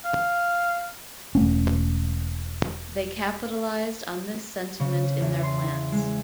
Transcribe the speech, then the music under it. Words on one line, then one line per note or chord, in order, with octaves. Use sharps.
They capitalized on this sentiment in their plans.
F5
E1 A3 C#4
C#3
E2
C6
G#3